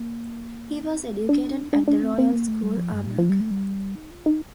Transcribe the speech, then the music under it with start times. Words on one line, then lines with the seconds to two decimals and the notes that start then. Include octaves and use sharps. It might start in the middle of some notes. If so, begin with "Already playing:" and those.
He was educated at The Royal School, Armagh.
Already playing: A#3
0.85 C4
1.29 D4
1.73 D4
1.88 D4
2.03 C4
2.18 C4
2.33 A#3
2.48 A3
2.62 G3
2.77 F3
2.92 G2
3.07 A#2
3.18 F3
3.29 G3
3.40 A3
3.51 G3
3.95 D#4
4.11 F4
4.26 D#4